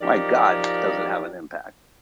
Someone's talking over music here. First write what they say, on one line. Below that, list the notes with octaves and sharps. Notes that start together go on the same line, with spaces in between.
my god, does it have an impact.
F3 D#4 G4 A#4 D5